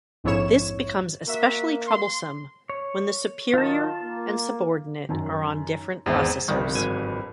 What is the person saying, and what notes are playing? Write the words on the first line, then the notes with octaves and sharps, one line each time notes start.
This becomes especially troublesome when the superior and subordinate are on different processors.
A#1 F2 G#2 E4 C#5 E7
A#3 F#4 E5
C6
C#5
D#3 F#3 F4 A5
A#3
F#2 D#3
G#1 E2 G#4 C5 E5
G1 C2 F2 D#3
G#1 G#5